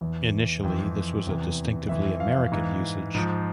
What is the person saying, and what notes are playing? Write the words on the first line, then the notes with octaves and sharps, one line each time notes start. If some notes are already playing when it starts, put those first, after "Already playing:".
Initially this was a distinctively American usage.
E2 E3
F2 E3 G5
E2 C3 E3
F2 E3 E5
F5
G#2 E3
G#2 F3